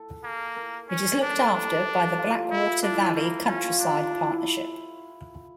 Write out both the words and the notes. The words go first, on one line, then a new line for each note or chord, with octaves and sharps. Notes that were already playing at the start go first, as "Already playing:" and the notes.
It is looked after by the Blackwater Valley Countryside Partnership.
Already playing: A4
A#3
A#4
C#4
D4 A4
A4
D4 G4
F4
E4
D4 E4
A#3
C#4 F4
D4
E4